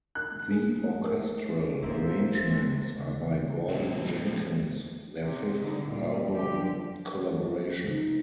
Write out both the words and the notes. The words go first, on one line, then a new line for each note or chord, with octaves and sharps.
The orchestral arrangements are by Gordon Jenkins, their fifth album collaboration.
F#6
G#4
A#4
D1 G#2 A#3 C5 E5
C#3
F2 A#2
A2 C3
C3
D3 G3 D#4
D2 A#2 G3
D3 F3 G4
D#4